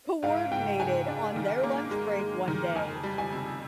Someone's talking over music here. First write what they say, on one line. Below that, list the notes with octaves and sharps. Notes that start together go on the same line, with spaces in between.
coordinated on their lunch break one day
G#2 F5
G#2 G5
G#2 G#5
D4
D#3
A#3
G#3
G#3
D#3
F2 G#5
G3
G#5
C3